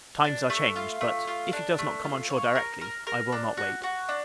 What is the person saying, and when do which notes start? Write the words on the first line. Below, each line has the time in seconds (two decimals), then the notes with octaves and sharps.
Times are changed; but, if he does not come on shore directly, I will not wait.
0.24 D4
0.50 A3
0.76 F4
1.01 A3
1.27 F4
1.53 D4
1.78 A3
2.04 F4
2.30 C#5
2.55 A#4
2.81 A#4
3.07 A#4
3.32 D4
3.57 F#4
3.83 F#4
4.09 D4